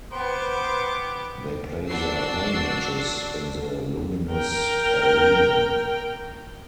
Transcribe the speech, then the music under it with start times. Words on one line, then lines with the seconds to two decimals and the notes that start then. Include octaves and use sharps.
They play their home matches in the Luminus Arena.
0.12 B3 B4 C5 G5 D6
1.87 D4 F#4 D5 E6 C7
4.32 A#4 G5